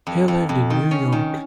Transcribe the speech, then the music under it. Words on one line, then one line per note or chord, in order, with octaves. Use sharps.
He lived in New York.
F2
F2
F2
D#3
C#4
D#3